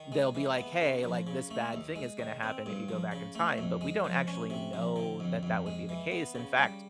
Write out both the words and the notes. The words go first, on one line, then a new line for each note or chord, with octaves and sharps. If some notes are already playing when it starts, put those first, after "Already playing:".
they'll be like, "Hey," like, "this bad thing is gonna happen if you go back in time," but we don't actually know that that would be the case. In fact,
Already playing: D#3
G#3
E3
B3
C#3
F3
C#3
A3
D#2
G#3
D#3
C4
G2
F3
C#3
A3
F2
G#3
F3
C#4
C3
F3
D3
F2
F2
G#3
E3
B3
C#3
G3